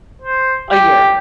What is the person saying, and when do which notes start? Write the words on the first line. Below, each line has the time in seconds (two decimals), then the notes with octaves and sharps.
A year.
0.22 C5
0.70 G4